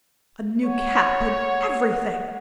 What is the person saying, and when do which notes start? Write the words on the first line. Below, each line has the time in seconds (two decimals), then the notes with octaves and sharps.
A new cap, and everything!'
0.65 C#5 F#5